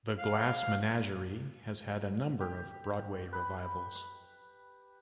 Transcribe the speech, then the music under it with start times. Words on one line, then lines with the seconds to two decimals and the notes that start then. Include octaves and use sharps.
"The Glass Menagerie" has had a number of Broadway revivals.
0.19 F5
2.41 G4
3.33 B4